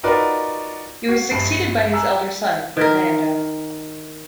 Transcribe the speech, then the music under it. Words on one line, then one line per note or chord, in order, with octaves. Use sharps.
He was succeeded by his elder son, Ferdinando.
D#4 F4 F#4 A#4 B4 D5
F#4 C7
A#1 G2 A5 C7
G#5 A#5 E6 F#6
D#3 A#4